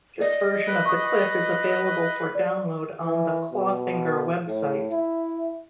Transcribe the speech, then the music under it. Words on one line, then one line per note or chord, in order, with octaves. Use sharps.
This version of the clip is available for download on the Clawfinger website.
D5 D#5
B4
B4 C#6 D#6
D5
E3
B2
A2
E4